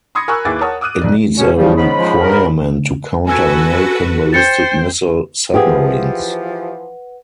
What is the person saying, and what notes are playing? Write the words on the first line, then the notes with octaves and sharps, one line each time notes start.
It meets a requirement to counter American ballistic missile submarines.
B5 C6 D#6 G#6 A#6 C#7
A#4 G#5 B5 C#6 E6 F#6
D#2 E4 G#4 B4 D6 A6
A#4 C#5 F#5 A5 C#6 D#6
D6 D#6 F6 F#6 D#7
B1 D5
B2 C#4
C#3 F3 G3
G#2 C#3 B3 B5
F3 G#3
A#4
F#4 A4 B4 G#5 E6 G#6
C5 G5 A6 C#7
E3 F3 G4 G#4 B4 F#5